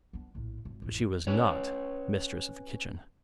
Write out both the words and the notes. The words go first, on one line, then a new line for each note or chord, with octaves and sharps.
But she was not mistress of the kitchen.
B3 D4
A#1 A2
G#1
A1 F2
C#4 B4 C#5